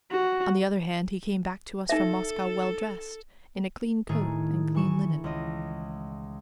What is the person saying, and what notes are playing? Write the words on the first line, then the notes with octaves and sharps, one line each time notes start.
On the other hand, he came back to us from Moscow well dressed, in a clean coat and clean linen.
F#4
D#4 A4 E5
A2 D#3 A3 G#4
E3 G#5 C#6 E7
C#2 D#5